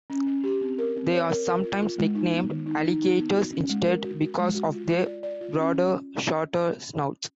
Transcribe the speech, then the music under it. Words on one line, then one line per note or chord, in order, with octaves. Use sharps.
They are sometimes nicknamed "Alligators", instead, because of their broader, shorter snouts.
C#4
C#4
G4
C4
A#4
C4
C#5
A#4
A#4
F4
F4
G#3
D#4
B3
D#3
D#4
D#4
D#4
B3
F#4
C#4
G#3
A#4
F#4
F#4
G#3
F#4
F4
F4
D5
D5
F4
C#4